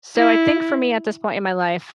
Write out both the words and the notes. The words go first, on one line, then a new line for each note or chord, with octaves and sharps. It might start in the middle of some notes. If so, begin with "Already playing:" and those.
So, I think for me at this point in my life,
E4